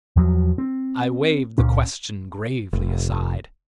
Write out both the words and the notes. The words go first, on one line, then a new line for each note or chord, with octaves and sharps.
I waived the question gravely aside.
E2 F3 F#3
C4
C#2 A#2 C#4
F1